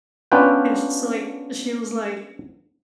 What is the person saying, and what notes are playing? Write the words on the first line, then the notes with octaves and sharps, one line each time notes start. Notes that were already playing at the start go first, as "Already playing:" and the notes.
and s so, like, she was like
B3 C#4 D4 F4 B4 G5